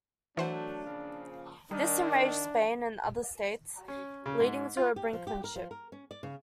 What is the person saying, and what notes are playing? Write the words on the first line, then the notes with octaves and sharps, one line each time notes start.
This enraged Spain and other states, leading to brinkmanship.
E3 F#3 A3 D4 C5 F#5
A#2 C#3 F3
D#3 G3 D4
C#4
C#3
G#2
F4
G4
F3
G4
A#4
F3
A#4
C#4
D5
C#3